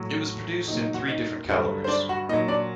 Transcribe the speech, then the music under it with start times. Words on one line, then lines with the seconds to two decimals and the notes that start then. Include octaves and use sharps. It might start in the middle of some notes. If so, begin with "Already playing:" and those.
It was produced in three different calibers.
Already playing: A2 F#3
0.67 A#2 F#3 D#4 D#5
0.81 D#4 D#5
0.94 F#4 F#5
1.08 D#4 D#5
1.48 G2 D3 F#3
1.84 C5
1.88 D4 D5
2.09 F#4 F#5
2.29 A#2 D#4 D#5
2.33 F#3
2.48 D4 D5